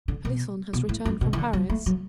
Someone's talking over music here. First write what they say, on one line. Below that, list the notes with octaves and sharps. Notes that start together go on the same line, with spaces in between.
"Pelisson has returned from Paris."
D3
B2
B2
A2
F#2
B2
E3
D3
F#3
A3
F#3